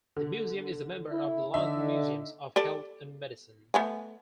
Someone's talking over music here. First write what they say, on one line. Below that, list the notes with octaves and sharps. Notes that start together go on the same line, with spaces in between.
The museum is a member of The London Museums of Health and Medicine.
D3
E4
D3 D#4 E5
G4 A4 D5
A3 B3 G#5